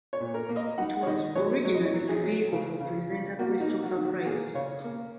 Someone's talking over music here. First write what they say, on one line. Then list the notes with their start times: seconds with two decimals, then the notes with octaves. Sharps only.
It was originally a vehicle for presenter Christopher Price.
0.13 C#5
0.20 A#2
0.34 A#4
0.49 A#3
0.56 D#5
0.78 D#4 F#5
1.03 C#5
1.07 D#3 D#5
1.35 F#3 C#5
1.65 F#3 C#5
1.74 D#5
1.85 C#5
1.94 F#3
2.08 G#4
2.23 F#3
2.52 C#3
2.80 C#3
3.10 C#3
3.39 A#3 F#4
3.60 D#4
3.68 A#3
3.82 F#4
3.97 D#3
4.04 F#4
4.25 A#3 G#4
4.55 C#3 C#5
4.84 A#3